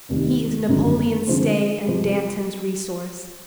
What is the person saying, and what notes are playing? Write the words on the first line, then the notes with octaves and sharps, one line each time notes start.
He is Napoleon's stay and Danton's resource.
F1 D#2 D#3
G#1 F#2 D3 G3
D3 F3 G#3 C4
C3 F3 G#3